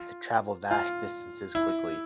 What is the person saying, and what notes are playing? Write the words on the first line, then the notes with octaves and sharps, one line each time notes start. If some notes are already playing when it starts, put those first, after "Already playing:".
to travel vast distances quickly.
Already playing: F4
F4
E4